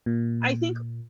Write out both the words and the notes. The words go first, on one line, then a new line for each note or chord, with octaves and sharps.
I think
A#2